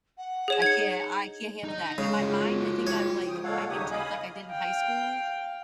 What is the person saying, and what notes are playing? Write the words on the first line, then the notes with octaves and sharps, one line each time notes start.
I can't I can't handle that. In my mind, I think I'm like, I can drink like I did in high school,
F#5
G#4 C#5 E7
D#4 G#6 C#7
D#4 D#5
C#3 G#3
F4 F#4 G#4
F3
F4 G4 C#5 F5
C#3 F3 G5 D#6
A#2 G#3 A4 C#5 F5 F#5
D#2 C#3 D#4 G4 C#5 D#6
D#5 F5 G#5 B5 D#6
F5 G5